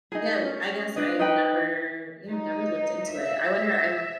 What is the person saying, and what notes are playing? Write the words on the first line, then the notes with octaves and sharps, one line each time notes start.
yeah, w I guess I've never yeah, I've never looked into it, I wonder I'm
D#4 G#4
C#4
D4 B4 D#5
D#4 B4 G5
D#4
E5